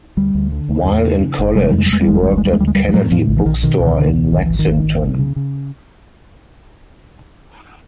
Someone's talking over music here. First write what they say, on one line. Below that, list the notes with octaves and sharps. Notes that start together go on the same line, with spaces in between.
While in college, he worked at Kennedy Book Store in Lexington.
D2 G3
D2
D3
D2
E2
C#3
C#3
F#1
C3 G3
G#3
F2 G3
G#3
G3
F2 G#3
G3
F#1 G#3
G3
D2 G#3
G3
G#3
D2 G3
G#3
D2 G3
G#3
D2 G3
F3
A2 F#3
A2 F3
A#1
E3
A#1 D#3
B2 D#3
C#2
D#3
B2 D3
C#2
G#1 D#3
G#1 E3
D#3
G#1
G#1
C#3
C#3
C#3